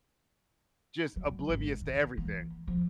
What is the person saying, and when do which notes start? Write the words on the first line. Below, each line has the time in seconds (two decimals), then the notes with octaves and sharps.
just oblivious to everything.
1.16 F#3
1.49 G#1
1.81 D#3
2.17 E3 A#3
2.67 F3